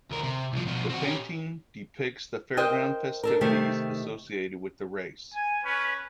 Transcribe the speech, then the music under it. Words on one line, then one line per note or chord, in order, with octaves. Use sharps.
The painting depicts the fairground festivities associated with the race.
D2 A#4
C3
C2 F3
B2 F3
C4 F#4
C#4 G4
A#4 C5 D#5 G5
D4 A4 A#4
C3 D#3 A3 G4
G#5
C#4 B4